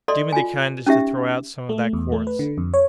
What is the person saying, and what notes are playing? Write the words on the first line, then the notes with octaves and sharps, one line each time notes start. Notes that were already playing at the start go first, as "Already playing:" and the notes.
"Do me the kindness to throw out some of that quartz!"
A4 D5 D#5 C6
F4 G#5
C#4 D#4 G4 E5
A3
E2
A3
B4
D3
F2
C#5